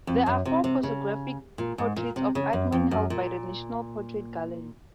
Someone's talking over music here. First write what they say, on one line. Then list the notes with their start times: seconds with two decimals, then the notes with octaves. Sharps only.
There are four photographic portraits of Aikman held by the National Portrait Gallery.
0.07 F2
0.26 F#2
0.45 C3
0.64 C3
0.83 C#3
1.58 A#2
1.78 G#2
1.96 A#2
2.16 C3
2.35 C#3
2.53 F#2
2.72 F2
2.91 F#2
3.10 A#2